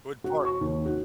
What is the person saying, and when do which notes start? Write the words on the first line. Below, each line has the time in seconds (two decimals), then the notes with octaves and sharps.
What part
0.24 F#4
0.45 C#6
0.61 D#2
0.86 F#4